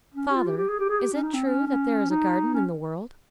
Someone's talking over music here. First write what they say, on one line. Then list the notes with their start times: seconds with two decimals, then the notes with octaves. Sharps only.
"Father, is it true that there is a garden in the world?"
0.14 C#4
0.31 G4
0.36 F4
0.46 G4
0.57 G4
0.69 G#4
0.79 G4
0.89 G#4
1.00 G4
1.13 C#4
1.23 D#4
1.34 C4
1.45 C#4
1.67 C#4
2.10 D#4
2.54 C#4